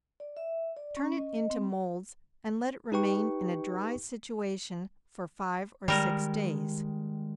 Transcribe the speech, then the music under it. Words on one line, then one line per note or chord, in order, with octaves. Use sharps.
Turn it into moulds, and let it remain in a dry situation for five or six days.
D5
E5
D5
C#4
D#5
C4
D#4 G4 B4 G5 C#6
D#3 G3 G#3 A#4